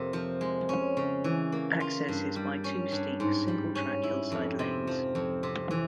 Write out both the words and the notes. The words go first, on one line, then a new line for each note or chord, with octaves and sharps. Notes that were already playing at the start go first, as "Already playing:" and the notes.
Access is by two steep, single-track hillside lanes.
Already playing: F2 C3 A#3
F3
G#3
C#4
C#3
E3
A#3
F4
G2
G3
C#4
G2
G#2
G3
C#4
E4
F2
C3
F3
F2
C3
E3